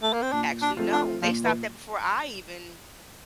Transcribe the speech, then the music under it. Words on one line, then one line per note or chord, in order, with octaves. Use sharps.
Actually, no. They stopped that before I even
A3
A#3
C4
A#2 D4
D4
F3 A3 C4 F4
D4
A#2 F3
E3